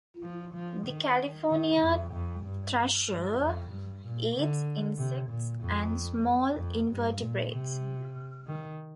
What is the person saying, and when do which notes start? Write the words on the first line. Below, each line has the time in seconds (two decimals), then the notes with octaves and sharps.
The California thrasher eats insects and small invertebrates.
0.23 F3
0.54 F3
0.86 D#3
1.49 D#3
1.82 F2
2.13 F2
2.44 G2
3.08 G2
3.40 F2
3.71 G2
4.03 A#2
4.35 D3
4.98 C3
5.30 A#2
5.61 F2
6.57 F2
6.89 G2
7.20 A#2
7.53 C3
8.47 D#3